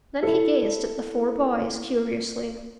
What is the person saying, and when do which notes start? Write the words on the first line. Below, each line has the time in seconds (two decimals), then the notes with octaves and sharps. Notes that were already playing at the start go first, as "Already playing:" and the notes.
Then he gazed at the four boys curiously.
0.23 E4 A4